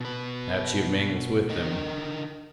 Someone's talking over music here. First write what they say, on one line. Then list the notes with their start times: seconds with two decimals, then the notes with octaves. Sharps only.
Now Chiu-Ming was with them.
0.01 B2 B4
1.49 D3 A#4 D#5